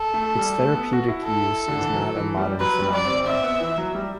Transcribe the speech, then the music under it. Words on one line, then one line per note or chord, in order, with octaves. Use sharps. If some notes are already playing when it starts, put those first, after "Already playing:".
Its therapeutic use is not a modern phenomenon.
Already playing: A4
A3
G3
A3
B3
F#4
E4
A4
D3
E3
F#3
E3
G3
F#3 B4
G3
D5
C4
C4 E5
B3
E3
F#3
G3